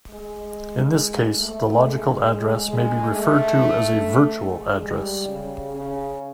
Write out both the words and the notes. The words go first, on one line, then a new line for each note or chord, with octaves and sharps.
In this case, the logical address may be referred to as a virtual address.
G#3
A3
G#3
G#3
A3
G#3
G3
C#3
C#3